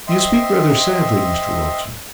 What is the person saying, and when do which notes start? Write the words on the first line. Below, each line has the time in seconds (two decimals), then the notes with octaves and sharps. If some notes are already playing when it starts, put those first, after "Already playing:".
You speak rather sadly, Mr Rokesmith.'
0.07 C4 D#5 E5 C6